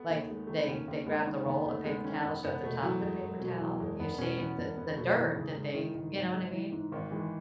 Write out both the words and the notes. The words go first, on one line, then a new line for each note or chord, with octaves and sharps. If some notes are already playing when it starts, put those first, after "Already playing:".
like, they they grab the roll of paper towels, so at the top of the paper towel, you see the the dirt that they You know what I mean?
Already playing: A3 B3
D#2
G#3
D#3 A3
B3
D#2 C#4
D#2
G#3 B3
D#3
D#2 B3
D#2 A3
G#3 B3
D#3 C#4
E1 B3
E1 B3
B2 A3
E2 F#3
E1 G#3
E1
B2 F#3
E2
E1 G#3
E1 B3
B2 C#4
E2 B3
E1 B3
E1 B3
B2 A3
E2 D#3
G#1 C#3
C#3 G#3
D#3 E3
G#2 D#3
G#1
G#3
E3
G#2
G#1 D#3
E3 G#3